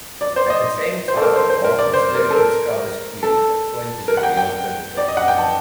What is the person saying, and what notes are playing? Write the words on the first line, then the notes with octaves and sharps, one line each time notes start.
At the same time, Martin slowly discovers clues that point to the real perpetrator.
D5
C5
D#5
C5
A4
A#4
C5
C5
A#4
D5
C5
A#4
A4
A#4
A4
A#4
F#5
G5
G5
D5
D#5
F#5
G5
A5